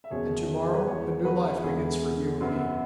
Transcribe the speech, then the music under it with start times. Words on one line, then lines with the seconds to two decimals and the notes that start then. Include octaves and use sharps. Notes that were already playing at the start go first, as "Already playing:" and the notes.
"And to-morrow a new life begins for you and me."
0.04 E5
0.10 F#1 E2 B2 G#4 C#5
0.62 G#4
0.74 B4
0.87 E2 C#3 E3 G#3 B3 G#4 C#5
1.25 F#4 B4
1.63 E2 E3 G#3 B3 E4 G#4
2.41 F#2 F#3 B3